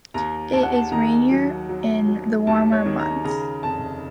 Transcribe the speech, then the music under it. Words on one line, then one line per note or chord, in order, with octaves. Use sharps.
It is rainier in the warmer months.
D#2 A#5
D#2 A5
F#5
A5
D#3 A#5
F#3
F#3
F#3
D#2 A5
C#5
D#3
A#5
C#3 A#5
F1 A5